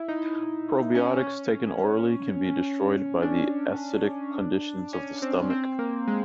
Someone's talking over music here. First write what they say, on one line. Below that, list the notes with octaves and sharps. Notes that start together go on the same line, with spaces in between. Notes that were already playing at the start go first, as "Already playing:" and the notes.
Probiotics taken orally can be destroyed by the acidic conditions of the stomach.
Already playing: E4
D#4
C#4
D4
C#4
C4
C4
A#3
G#3